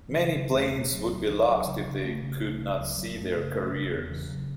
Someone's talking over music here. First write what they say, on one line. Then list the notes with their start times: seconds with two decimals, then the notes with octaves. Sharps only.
Many planes would be lost if they could not see their carriers.
0.11 E3
0.16 C#3 F#3
0.36 C#3
0.54 E2 A3
0.73 B2 A3
0.92 C#2 F#3
1.10 C#2
1.29 C#2 E3
1.48 C#2 F#3
1.66 C#3
1.85 C#3
2.04 C#3 A3
2.23 C#3
2.41 C#2 A3
2.60 C#3
2.79 C#2 F#3
2.97 C#2 F#3
3.17 F#2 A3
3.36 C#3
3.54 F#2 A3
3.72 C#3
3.91 E2 B3
4.10 C#3 E3
4.29 C#3 F#3